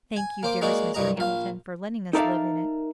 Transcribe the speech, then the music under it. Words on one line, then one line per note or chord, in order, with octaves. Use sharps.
Thank you, dearest Mr. Hamilton, for letting us live in it.
G#5
A#3 C5 D6
G#3 A#3 D#4 F#4 D5
C2 G2 G3 D#5 A#5
A#1 F5
D#4 A4 A#4 D5 E5 F5